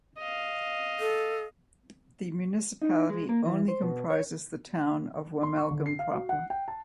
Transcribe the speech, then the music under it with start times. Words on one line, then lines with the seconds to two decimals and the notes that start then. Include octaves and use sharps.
The municipality only comprises the town of Wommelgem proper.
0.18 D#5 F5
1.00 A4
2.82 D#4
3.10 G#3
3.29 A#3
3.46 E3
3.68 C5
3.82 B2
4.10 C#5
5.43 C6
5.57 C#6
5.71 D3
5.86 C7
5.99 F5
6.13 F#4
6.29 F#5
6.50 G5
6.68 A5